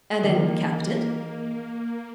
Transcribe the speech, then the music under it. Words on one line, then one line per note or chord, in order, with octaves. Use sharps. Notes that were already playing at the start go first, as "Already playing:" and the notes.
"And then kept it?"
D#3 E3 A#3 G#4